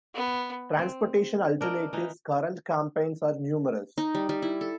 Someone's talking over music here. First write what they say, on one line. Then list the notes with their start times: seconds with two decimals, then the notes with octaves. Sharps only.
Transportation Alternatives' current campaigns are numerous.
0.15 B3
0.79 C4
1.61 D4 A#4 D#5 G5
1.93 E3 D#4
3.98 D#4
4.15 G3
4.29 G3
4.42 E4
4.61 A4